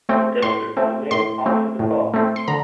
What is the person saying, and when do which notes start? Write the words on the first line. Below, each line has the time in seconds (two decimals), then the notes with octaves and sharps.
The district was named after the park.
0.09 A3 C4
0.42 A2 C6
0.77 A3 C4
1.11 A2 C6
1.46 A3 C4
1.79 A2
2.14 A3 C4
2.36 C6
2.48 D3 A#5